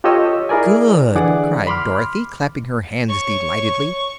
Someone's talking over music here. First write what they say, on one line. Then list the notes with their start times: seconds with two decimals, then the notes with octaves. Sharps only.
"Good!" cried Dorothy, clapping her hands delightedly.
0.04 F4 G4 A4 C#5 D#5 E6
0.49 E4 G#4 A#4 D5 G#5
1.15 D3 E3 G#4 D5 F#5 D6
1.67 B5 C6 D6 F6
3.09 C#5 C#6